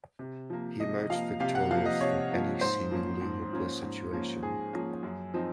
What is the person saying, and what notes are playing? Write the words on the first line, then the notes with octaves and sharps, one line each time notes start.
He emerged victorious from any seemingly hopeless situation.
C3
F3 A#3
C3 D#5
F3 A#3 F5
C3 F5
F#5
F3 A#3 F5
D#5
C3 C#5
F3 A#3
G#2 C5
F3 A#3 C#4
G#2
F3 A#3 C#4
G#2
F3 A#3 C#4
G#2 G#4
F3 A#3 C#4
F#2
F3 C4 D#4